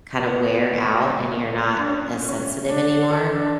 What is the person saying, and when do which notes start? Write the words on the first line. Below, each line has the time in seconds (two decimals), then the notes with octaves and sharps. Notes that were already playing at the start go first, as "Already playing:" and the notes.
kinda wear out and you're not as sensitive anymore.
0.23 B3
1.78 D4
1.88 C#4
2.28 C#4
2.69 D4
2.90 D4
3.10 A4
3.31 D4